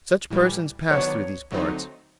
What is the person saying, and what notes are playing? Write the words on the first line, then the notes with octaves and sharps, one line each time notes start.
Such persons pass through these parts.
A2 E3 G3
D#3 F#3 B3 D4 C#5
D3 F#3 A3 C4 D#4